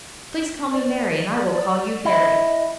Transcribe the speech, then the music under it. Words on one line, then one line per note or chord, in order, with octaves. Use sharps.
Please call me Mary, and I will call you Harry.
D5
E4 D#5